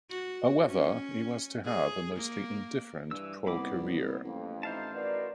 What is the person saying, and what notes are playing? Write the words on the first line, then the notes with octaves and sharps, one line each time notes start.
However, he was to have a mostly indifferent pro career.
F#4
C#4
G#4
A#3
G2 E3 E6
C2 A#3 B3 B5 D6
A1 F2
D#4 E4 C5 F5 A5
D#4 F#4 A#4 B4 D5